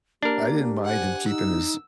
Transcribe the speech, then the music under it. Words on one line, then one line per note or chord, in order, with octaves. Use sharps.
I didn't mind him keeping his
A#3 D4 G4 A#4
C5 F#5 G#5
D#4 E6